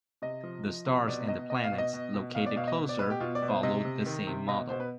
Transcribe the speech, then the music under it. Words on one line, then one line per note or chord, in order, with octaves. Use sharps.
The stars and the planets, located closer, followed the same model.
C3 D#5
F3
F3
C3
B2 D5
B2 D#5
B2 D#5
F5
B2
D#5
B2
B2
B2 F5
D5
B2 F5
D#5
B2
D5
B2 B4
G4
B2 F4
D5
B2
C5
C3 D#5
C3
D#3
C3
B2 D#5
B2 C5
B4